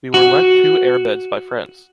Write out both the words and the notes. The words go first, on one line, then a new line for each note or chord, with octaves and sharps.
We were lent two air-beds by friends.
F#4